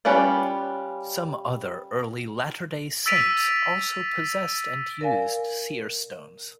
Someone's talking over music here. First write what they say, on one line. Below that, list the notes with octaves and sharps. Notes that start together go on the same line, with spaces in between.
Some other early Latter Day Saints also possessed and used seer stones.
G3 C#4 F4 B4 D5
E6 A6 B6 D7 D#7 F7
A#4 D5 F5 G#5